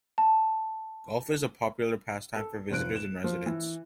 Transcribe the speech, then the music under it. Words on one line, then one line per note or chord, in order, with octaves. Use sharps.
Golf is a popular pastime for visitors and residents.
A5
A4
F1 F3 F#6 D7
E7
F3
E3